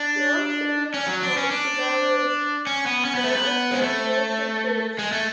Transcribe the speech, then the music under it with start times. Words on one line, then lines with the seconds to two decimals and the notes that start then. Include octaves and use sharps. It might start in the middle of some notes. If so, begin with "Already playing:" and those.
The old city was home to various Eurasian merchant groups.
Already playing: D4
0.94 C#4
1.07 F#3
1.23 D4
1.37 C#4
1.51 D4
2.67 C#4
2.86 B3
3.05 C#4
3.15 B3
3.23 A3
3.32 B3
3.71 G#3
3.82 A3
4.99 G#3
5.12 A3